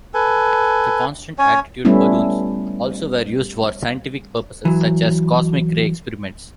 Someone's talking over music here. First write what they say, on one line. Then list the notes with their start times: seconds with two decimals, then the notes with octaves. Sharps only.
The constant-altitude balloons also were used for scientific purposes such as cosmic ray experiments.
0.14 A4 B4 G#5
1.38 C#4 C#5 G#5
1.85 G3 A3 B3 C#4 E4
4.65 E3 F#3